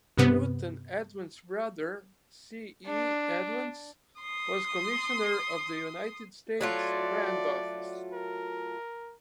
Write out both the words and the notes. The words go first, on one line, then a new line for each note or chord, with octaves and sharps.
Newton Edmunds' brother, C. E. Edmunds, was Commissioner of the United States Land Office.
G2 C3 B3
D4
C6 D#6
F#3 A3 F4 D5
A#4